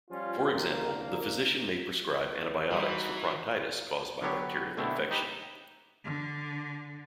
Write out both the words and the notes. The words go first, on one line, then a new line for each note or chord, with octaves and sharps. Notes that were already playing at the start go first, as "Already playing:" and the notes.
For example, the physician may prescribe antibiotics for proctitis caused by bacterial infection.
F3 G3 C#4 F4
C2 D3 A#3
E3 G3 D#4 F#4 C6
D3 F#3 B3 D4 G4 C#5
B2 D3 A3 C4 D4 E4
D#4 G4 B4
D3